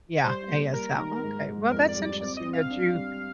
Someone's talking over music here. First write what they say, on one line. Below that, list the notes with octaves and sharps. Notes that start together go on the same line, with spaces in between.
Yeah, ASL, okay. Well, that's interesting that you
G3 C5
A#3
G3 A#4
D#3
G#2
G#2
F2 A#4
D5
G3
D5
C4 D5
D#5
C4
F5
D4
G3